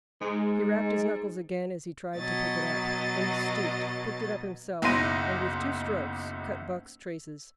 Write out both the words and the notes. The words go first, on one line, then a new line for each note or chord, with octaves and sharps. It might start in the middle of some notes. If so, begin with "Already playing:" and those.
He rapped his knuckles again as he tried to pick it up. Then he stooped, picked it up himself, and with two strokes cut Buck's traces.
G#2 G#3
B2 F#3 D#5 A6
F#1 B1 E4 C6 A#6 D#7